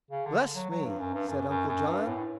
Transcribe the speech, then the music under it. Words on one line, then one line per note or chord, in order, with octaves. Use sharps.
"Bless me!" said Uncle John.
C#3
D3
F#3
F#3
G2
F#2
G2
F#2
F#2
F#2
G2
A2